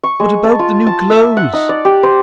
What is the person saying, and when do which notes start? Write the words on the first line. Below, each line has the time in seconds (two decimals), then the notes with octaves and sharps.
"What about the new clothes?"
0.03 C#6
0.20 G#3
0.44 A5
0.59 F4
0.87 A5
1.10 E5
1.37 F#5
1.53 D#4
1.69 D5
1.85 G4
2.03 C5